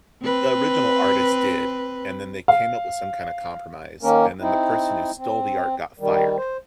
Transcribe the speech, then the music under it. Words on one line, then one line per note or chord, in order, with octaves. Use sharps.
The original artist did, and then they came up with some kind of compromise, and then the person who stole the art got fired,
C4 B4
F5
D#3 A#3 C#4 A#4
C4 D#4 E4
C4
D#3 G3
C5